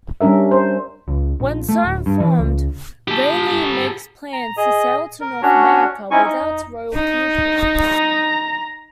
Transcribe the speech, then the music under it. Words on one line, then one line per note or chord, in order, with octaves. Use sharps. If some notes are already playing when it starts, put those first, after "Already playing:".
When so informed, Raleigh makes plans to sail to North America without royal permission.
G3 C#4 D4 A#4 E5
C5
C#2
A#1
A3
D1
G2
E3
C#2
G4 A4
A#5
G#4 D#5
A#4
C#4 D4 F#4 C#5
C4 C#4 D#4 E4 G#5 C#6
D#4
D#4
A#5